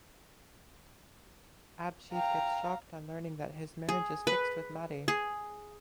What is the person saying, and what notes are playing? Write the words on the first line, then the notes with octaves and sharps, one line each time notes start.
Abhijeet gets shocked on learning that his marriage is fixed with Maddy.
F5 G5 A#5
G#4
B4
G#4